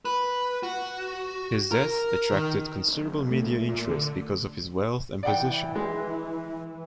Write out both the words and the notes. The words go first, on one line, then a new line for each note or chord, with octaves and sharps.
His death attracted considerable media interest because of his wealth and position.
B4
F#4
A#4
D#3
F#1
A3
A#2
D3
E3 D5 F#5 G5
G#3